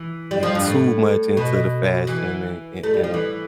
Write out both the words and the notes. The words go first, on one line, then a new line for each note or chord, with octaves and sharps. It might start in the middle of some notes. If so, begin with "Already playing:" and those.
you're too much into the fashion and a and
Already playing: E3
G3
F3
G2
A2
B2
E3
A3
G3
F3
E3